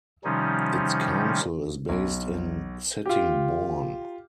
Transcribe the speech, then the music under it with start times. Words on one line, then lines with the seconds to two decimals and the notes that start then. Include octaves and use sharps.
Its council is based in Sittingbourne.
0.24 C3 D#3 F3 G3 C#4 D#4
1.89 B1
3.06 F4 G4